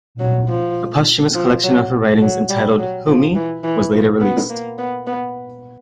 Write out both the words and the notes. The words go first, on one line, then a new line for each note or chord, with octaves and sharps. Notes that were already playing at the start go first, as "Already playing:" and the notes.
A posthumous collection of her writings, entitled "Who Me?," was later released.
F#3
F3
F3
F#3
F#3
G3
F#3
F3
E3
E3
F3
B3
A#3
B3
B3